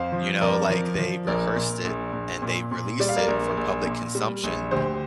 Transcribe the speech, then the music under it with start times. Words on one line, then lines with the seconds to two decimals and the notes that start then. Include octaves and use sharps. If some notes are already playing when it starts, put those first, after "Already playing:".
you know, like, they rehearsed it and they released it for public consumption,
Already playing: F2 C5 F5
0.12 F3
0.41 F2 A#4 D5
0.70 F3
0.99 F3
1.27 A#1 A#4 D5
1.56 A#2
1.85 A#1
2.13 A#1
2.42 A#2
2.71 A#2
3.00 G3 D5
3.09 F5
3.16 A#4 D5
3.28 A#1
3.57 A#1
3.86 A#2
4.15 G3
4.44 A#1
4.71 D2 G4 C5